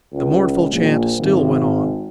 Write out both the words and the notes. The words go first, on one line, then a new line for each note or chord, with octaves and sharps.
The mournful chant still went on.
C#2
A#1
G#1